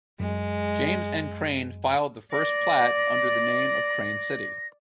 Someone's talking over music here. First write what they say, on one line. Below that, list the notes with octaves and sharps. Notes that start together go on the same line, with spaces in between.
James M. Crain filed the first plat under the name of Crain City.
F#2 G#3
D5 A#6